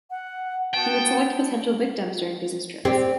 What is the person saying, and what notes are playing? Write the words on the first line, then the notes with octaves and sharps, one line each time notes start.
He would select potential victims during business trips.
F#5
B3 F#4 F#5 G5 A5
C4 G4 D5